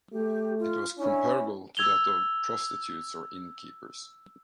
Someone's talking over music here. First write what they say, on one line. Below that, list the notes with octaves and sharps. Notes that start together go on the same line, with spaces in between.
It was comparable to that of prostitutes or innkeepers.
A3 G4
F4
C#4 D4 E4
E6 G#6 F7 G7